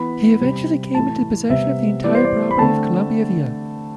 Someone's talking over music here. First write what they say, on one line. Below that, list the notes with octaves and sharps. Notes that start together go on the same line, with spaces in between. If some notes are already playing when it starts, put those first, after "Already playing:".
He eventually came into possession of the entire property of Columbiaville.
Already playing: E3 B3 B5
C3 G3 C4
A2 E3 A3 A5
C3 G3 B3 E5
E3 G3 B3 D5
C5
D5
B5
D3 A3 C4 A5